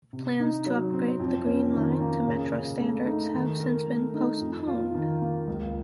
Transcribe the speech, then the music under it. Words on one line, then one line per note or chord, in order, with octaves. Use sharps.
Plans to upgrade the Green Line to Metro standards have since been postponed.
C3
D#4
F#3
C4
F2
C#4
D#3
A#3
C#3
C#3
A3
D#4
D#3
A#4
A3
D#4
F2
F4
D#3
A#3
C#2